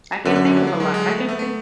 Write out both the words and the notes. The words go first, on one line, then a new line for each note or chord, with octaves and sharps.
I can't think of a lot. I can't think.
F#2 D3
D3
D3
F#3
F#3
G#3
G#3
A3
B3
A3
A3